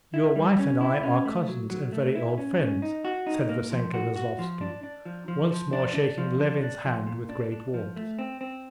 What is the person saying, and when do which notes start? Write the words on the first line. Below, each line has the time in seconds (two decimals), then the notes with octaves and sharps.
"Your wife and I are cousins and very old friends," said Vassenka Veslovsky, once more shaking Levin's hand with great warmth.
0.14 E4
0.36 G3
0.59 C#4
0.81 E4
1.03 C#4
1.25 A3
1.48 F#3
1.70 F#3
1.92 A3
2.15 E4
2.38 C#4
2.60 C#4
2.82 D#4
3.05 F#4
3.27 D#4
3.49 A#3
3.71 F3
3.94 F#4
4.16 F#4
4.39 F3
4.61 D4
4.83 D4
5.05 F3
5.28 F3
5.51 F3
5.73 D4
5.95 D4
6.18 F3
6.40 D4
6.62 D4
6.85 F3
7.07 A#2
7.29 D4
7.52 D4
7.74 F3
7.96 A3
8.19 C4
8.41 C4